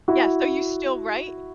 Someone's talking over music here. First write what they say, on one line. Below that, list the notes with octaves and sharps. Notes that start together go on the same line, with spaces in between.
Yes, so you still write?
E4 F#4